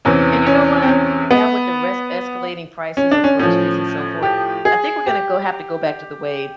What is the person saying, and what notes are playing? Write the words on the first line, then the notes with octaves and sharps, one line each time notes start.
And you know what? Now with the res escalating prices of groceries and so forth, I think we're gonna go have to go back to the way
E2 C3 E3 C#4
C#4
C4
C#4
B3
C#4
D4
C#4
A2 F3 C#4
G4
G#4
G4